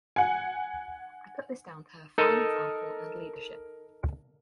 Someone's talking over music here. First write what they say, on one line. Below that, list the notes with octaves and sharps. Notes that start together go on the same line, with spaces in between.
I put this down to her fine example and leadership.
F#5 G#5
D#4 A4 A#4 D#5